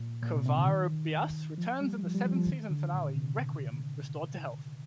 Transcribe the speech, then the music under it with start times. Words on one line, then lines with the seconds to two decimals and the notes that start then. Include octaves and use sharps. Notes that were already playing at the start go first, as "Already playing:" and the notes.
Covarrubias returns in the seventh season finale "Requiem", restored to health.
Already playing: A#2
0.23 A#2
0.34 C3
0.46 C3
0.57 D3
0.68 D#3
1.58 F3
1.81 G3
2.03 F3
2.14 G3
2.26 F3
2.37 F3
2.48 D#3
2.71 D3
2.93 A#2
3.16 C3